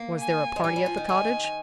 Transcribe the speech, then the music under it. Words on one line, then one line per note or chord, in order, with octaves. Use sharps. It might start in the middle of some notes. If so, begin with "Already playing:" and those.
"Was there a party at the cottage?"
Already playing: A#3
G#5
G#3
G3 G#5
G3
F3
D#3
D#3 G#5